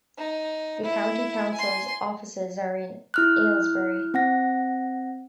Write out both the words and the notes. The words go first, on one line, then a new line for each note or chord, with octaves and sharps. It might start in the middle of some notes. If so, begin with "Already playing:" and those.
The county council's offices are in Aylesbury.
D#4
E4
G#5 C6
E4 F6 F#6
C4 F#5 A#6